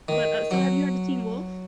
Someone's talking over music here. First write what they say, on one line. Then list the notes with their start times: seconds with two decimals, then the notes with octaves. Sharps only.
But, uh, so have you heard of Teen Wolf?
0.08 D#3
0.51 F#3